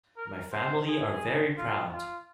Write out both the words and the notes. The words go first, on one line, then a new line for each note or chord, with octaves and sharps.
My family are very proud.
A#4
C5
G#4
F4
F4